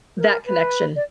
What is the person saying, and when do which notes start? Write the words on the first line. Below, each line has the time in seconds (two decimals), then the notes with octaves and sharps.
that connection,
0.18 A#4
0.46 B4
0.96 D5